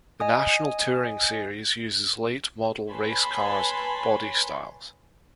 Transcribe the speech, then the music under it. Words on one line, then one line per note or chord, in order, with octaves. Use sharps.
The national touring series uses late model racecars body styles.
D#5 G#5 D#6
B4 C#5 G#5 A5 B5 C6